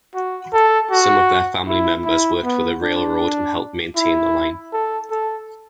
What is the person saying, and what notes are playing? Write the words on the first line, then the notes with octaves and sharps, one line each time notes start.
Some of their family members worked for the railroad and helped maintain the line.
F#4
A4
F#4
E4
E4
B3
D4
E4
A4
A4